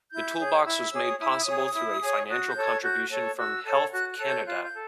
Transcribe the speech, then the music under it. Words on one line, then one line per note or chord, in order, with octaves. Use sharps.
The toolbox was made possible through a financial contribution from Health Canada.
E4 G6
G#4 C#5
E4 E6
E6
G#4 C#5 D6
D#6
E4 D#6
E6
D#6
G#4 C#5
E4
G#4 C#5
F#4 D#6
G6
A4 C#5
G#6
F#4 G6
A4 C#5
F#4 E6
A4 C#5
F#4 F#6
F#6
A4 C#5
G6
F4 F#6
G6
A4